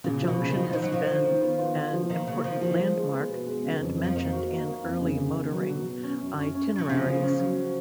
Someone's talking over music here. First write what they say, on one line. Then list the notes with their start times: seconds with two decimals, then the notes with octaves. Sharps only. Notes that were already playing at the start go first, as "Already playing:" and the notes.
The junction has been an important landmark and mentioned in early motoring itineraries.
0.04 A#2 C#3
0.22 F3
0.27 B2
0.39 C#3
0.50 D#3
0.56 F3
0.73 F3 D#4
0.82 F#3
0.90 D#3 F3
1.07 D#3
1.24 D#3
1.41 B3
1.58 F4
1.76 F4
1.93 F3
2.10 D#3 A#3
2.27 C#3 A#3
2.44 F3 F4
2.61 D#3 F3
2.78 G#3
2.95 G#3
3.13 B3
3.29 B2
3.47 G#3
3.64 C#3
3.81 F2
3.98 F2
4.04 F3
4.15 D#3 A#3
4.32 F#4
4.49 A#3
4.66 A#3
4.84 F2
5.01 C#3
5.18 C#3
5.35 B3
5.52 F#3
5.69 B2
5.86 B2
6.04 C#4
6.20 F#2
6.38 C#4
6.55 C#4
6.72 C#4
6.78 F#3
6.89 C#3 F3
7.06 C#3
7.23 C#4
7.40 F#3